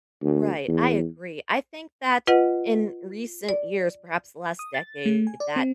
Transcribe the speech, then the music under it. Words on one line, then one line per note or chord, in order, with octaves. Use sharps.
Right, I agree, I think that in recent years- perhaps the last decade- that
D2
E2
F4 B4 D#5 F#5
D5
D#6
A6
A3
G#5
D5
C4